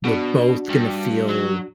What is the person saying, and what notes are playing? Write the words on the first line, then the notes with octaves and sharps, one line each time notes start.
we're both gonna feel
B2 D4 F#4
G2
F#3